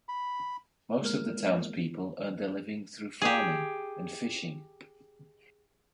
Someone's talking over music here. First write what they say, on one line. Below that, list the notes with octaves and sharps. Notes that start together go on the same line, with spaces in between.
Most of the town's people earned their living through farming and fishing.
B5
G#3 A#3 A#4 F6
G4 G#4